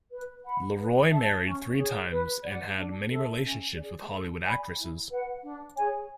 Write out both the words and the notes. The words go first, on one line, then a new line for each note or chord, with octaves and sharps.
LeRoy married three times and had many relationships with Hollywood actresses.
B4
F#5 B5
B4
E5 A5
C#4
G#4 C#5
B4
D5 F#5
D4
A4 E5
C#4
G#4 D5
A4
D5 G#5 B5
E4
B4 F#5
D4
G#4 C#5 G#5